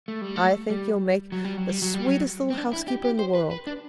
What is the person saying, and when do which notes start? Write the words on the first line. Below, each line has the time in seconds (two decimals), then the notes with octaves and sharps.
I think you'll make the sweetest little housekeeper in the world.
0.08 A3
0.21 G3
0.36 A3
0.70 G3
1.32 F#3
1.45 G3
1.57 F#3
1.69 G3
1.82 F#3
1.94 G3
2.07 F#3
2.50 C4
2.57 D4
2.73 E4
2.88 G4
3.05 G4
3.19 C5
3.35 B4
3.51 B4
3.67 D4